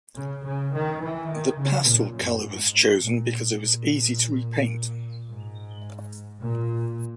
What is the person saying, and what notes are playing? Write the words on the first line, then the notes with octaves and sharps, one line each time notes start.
The pastel colour was chosen because it was easy to repaint.
C#3
C#3
D#3
E3
D#3
C#3
A#2
F#2
G#2
A#2
A#2
G#2
A#2